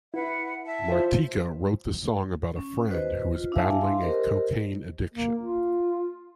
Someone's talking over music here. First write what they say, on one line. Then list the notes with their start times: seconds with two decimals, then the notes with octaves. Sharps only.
Martika wrote the song about a friend who was battling a cocaine addiction.
0.14 E4 B4 E5 F#5
0.65 E5 A5
0.92 F4 C5
2.56 C#4
2.91 F#4 B4 C5 D#5
3.36 F4
3.52 D4 E4 E5 F5 G#5 A5
3.81 F5 C6
4.00 G4 A#4 C5 D#5
5.14 A#3
5.41 F4